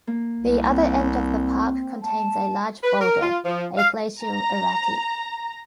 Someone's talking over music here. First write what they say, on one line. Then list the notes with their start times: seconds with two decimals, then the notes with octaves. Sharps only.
The other end of the park contains a large boulder, a glacial erratic.
0.07 A#3
0.40 C2
0.72 C4
2.03 A5
2.84 B4
3.01 A#4
3.21 F4
3.45 F3
3.77 F5
4.21 A#5